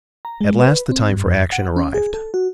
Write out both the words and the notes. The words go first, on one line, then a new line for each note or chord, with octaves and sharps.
At last the time for action arrived.
A#5
G#3
B4
C4
G2
F2
F#5
C#4
G#4
A4
F#4